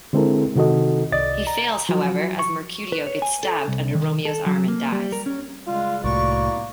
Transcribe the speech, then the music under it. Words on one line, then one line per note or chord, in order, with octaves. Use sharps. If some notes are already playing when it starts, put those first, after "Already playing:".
He fails, however, as Mercutio gets stabbed under Romeo's arm and dies.
D3 G#3 C4 E4 A4 A#4
C3 D#3 F#4 A4 D#5
C2 D5 D#5 A6
A#5
F3 F#3 F#4
C#6
B4
C#5
G#5
A4
C2
D#3
A4
F#3
A#3
G3
A#4
C#4
C#3 G3 G#3 F4
C2 A2 A#3 E4 F#4 D5 C#6